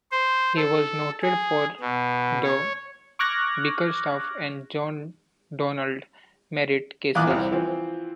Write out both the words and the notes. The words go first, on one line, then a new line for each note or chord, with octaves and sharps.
He was noted for the Bickerstaff and John Donald Merritt cases.
C5
A4
G#4
B2
C#5
C#6 D6 F6 F#6 G#6 A#6
A#1 E2 F5 D6 D#6 F#6
C2 C4
E3 F3 C4